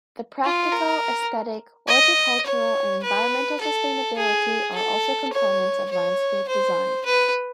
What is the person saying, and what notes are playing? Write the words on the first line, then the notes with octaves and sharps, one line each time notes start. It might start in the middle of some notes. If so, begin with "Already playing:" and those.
The practical, aesthetic, horticultural, and environmental sustainability are also components of landscape design.
F4
A#4
D#5
C#5
B4
A4
G#4
A4
C#5
C#5
C5
B4